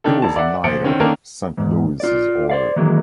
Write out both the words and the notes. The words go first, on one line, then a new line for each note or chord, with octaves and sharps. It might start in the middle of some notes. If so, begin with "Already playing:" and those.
He was a knight of Saint-Louis’s order.
D#3 D4 A4
E1 A5
D5 E5 F#5
A#2 F3 C#7 D7
D3 D#3 C4 C#4
D#3 A#3 C#4 D4 A4 A#4
E2 G#2
F4 D5
C5 D5 F5
D#3 E3 F#3 G#3 A#3